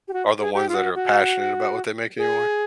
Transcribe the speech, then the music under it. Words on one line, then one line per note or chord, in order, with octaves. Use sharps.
are the ones that are passionate about what they make anymore,
G4
F#4
G#4
G4
F4
F#4
F#4
G#4